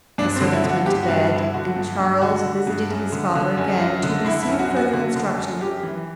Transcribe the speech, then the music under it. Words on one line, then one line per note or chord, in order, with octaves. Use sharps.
The servants went to bed, and Charles visited his father again, to receive further instructions.
G2 D4
C4
D3
E4
D3
F#4
G2 G4
F#4
G2
F#4
D3
E4
D3 F#4
G2
G2
D3 F#4
D3
G2
F#2
D3
D3
F#2
F#2
D3
D3 E4
E4
F#2
F#4
F#2
F#4
D3 F#4
D3
F#2
F#2 G4
E3